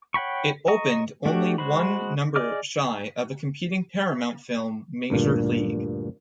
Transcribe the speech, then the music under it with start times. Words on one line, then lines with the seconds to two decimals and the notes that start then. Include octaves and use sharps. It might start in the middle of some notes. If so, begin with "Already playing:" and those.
It opened only one number shy of a competing Paramount film, "Major League".
0.14 C#5 F#5 G5 B5 C#6
0.68 D#5 A#5 C#6
1.26 A3 D4 F#4 G4
1.58 G#3 F#4 C5 B5
2.36 G#4 D5 D#5 D6 F6
5.10 D2 G2 A#2